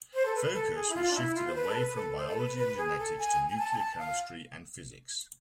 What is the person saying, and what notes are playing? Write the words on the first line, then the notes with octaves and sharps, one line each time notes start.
Focus was shifted away from biology and genetics to nuclear chemistry and physics.
C5
A4
B4
A4
G#4
E4
F4
D4
E4
F4
C5
B4
A4
B4
A4
C5
A4
B4
B4
G#4
A4
G#5
G#5
A5
G#5
A5
F5